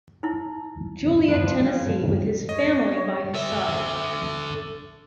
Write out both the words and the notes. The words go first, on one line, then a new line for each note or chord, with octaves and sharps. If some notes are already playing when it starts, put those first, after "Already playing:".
Juliet, Tennessee with his family by his side.
D#4 E4
C3 F3 B4
C#3
C#5 D#5
D3 E5